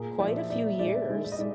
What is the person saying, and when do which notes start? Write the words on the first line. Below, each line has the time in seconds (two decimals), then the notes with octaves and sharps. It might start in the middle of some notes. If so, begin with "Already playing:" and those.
quite a few years,
Already playing: A#2 G#4 A#4
0.19 F3 D5 E5
0.50 A#2 D5 E5
0.79 G#3 D5 E5
1.10 G#3
1.25 E5
1.32 D#5
1.39 G#3 D5 E5